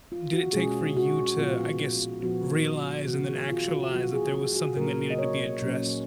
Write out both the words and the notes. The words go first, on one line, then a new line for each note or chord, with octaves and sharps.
did it take for you to, I guess, realize and then actualize that there was something that needed to be addressed?
F4
F#4
B2 G#3 C#4 G#4
F#4
A#2 F3 B3 F4
A#2 F3 B3 F#4
D#3 F#3 B3 F#4
G#4
F4
F#4
D#3 F#3 B3 F#4
G#4
G#4
G#4
F#4
A#2 F#3 A#3 C#4 A#4
D#5
C#5
A#2 F#3 A#3 C#4